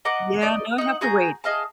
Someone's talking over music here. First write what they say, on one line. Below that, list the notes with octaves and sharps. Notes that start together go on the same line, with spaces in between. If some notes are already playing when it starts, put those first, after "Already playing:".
Yeah, now I have to wait.
D#5 F#5 A#5 D6
D#4 D5 D#5
D#4 F#5
F#4 G#4 A#5 G6
G#4 D#5 F5 A5